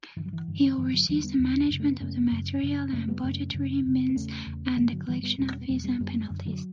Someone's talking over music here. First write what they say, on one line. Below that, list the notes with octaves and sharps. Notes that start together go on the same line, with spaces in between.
He oversees the management of the material and budgetary means and the collection of fees and penalties.
G2 D3 E3
F#3
E3
G2 D3
G2 D3 E3
D3 F#3
E2 D3 E3 G3
G3 B3
E2 D3
F#2 C#3
A3
B3
F#2 C#3 A3 C#4
F#2 C#3
F#2 C#3
F#2 C#3 A3 C#4
G3 B3
F#2 C#3 A3 C#4
F#2 C#3
F#2 C#3
B3
E2 C#3 A3 C#4
E2 C#3
G2 D3 F#3 A3
D3 F#3
G2 D3 E3 G3
G3 B3
E2 B2 G3 B3
C#4
B3
E2 B2 F#3 A3
G3 B3
F#2 D3 G3 B3
F#2 D3
D3 F#3